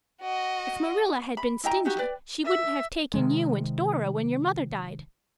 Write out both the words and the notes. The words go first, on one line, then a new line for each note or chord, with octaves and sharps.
If Marilla had been stingy she wouldn't have taken you and Dora when your mother died.
F#4 D#5
B5
E4 D#5 G5 A#5
D#4 F#4 G4
B4 D5 G5
E5
C3 D#3 G#3